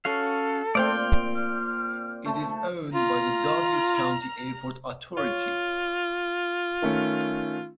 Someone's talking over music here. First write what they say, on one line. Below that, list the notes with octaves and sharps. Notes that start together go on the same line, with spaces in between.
It is owned by the Dubois County Airport Authority.
C#4 F#4 A4 F5
A#2 A3 C4 C5 D5 F5 G5
F6
A3 A5
F4 A#5 F6
F4 C#5
D#3 A3 C#4